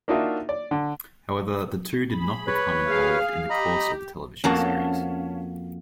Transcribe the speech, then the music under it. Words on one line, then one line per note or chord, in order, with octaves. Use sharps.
However, the two did not become involved in the course of the television series.
A#3 D4 D#4 F4 F#4 E5
D5
D3
G#4 B5
B4 C#5
G#4 F5
G4 D#5 A#5 B5
F2 A#3 C#4 F#4 F5 A5